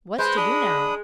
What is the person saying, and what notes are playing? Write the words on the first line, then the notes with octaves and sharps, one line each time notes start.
"What's to do now?"
G#3 B4 C5
D4 B5 D#6